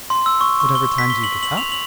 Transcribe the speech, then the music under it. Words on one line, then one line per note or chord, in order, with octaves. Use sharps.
"Whatever time do you get up?"
C6
E6
C#6
C#6
G7
B6
G7
F#7
F#7
F7
F#7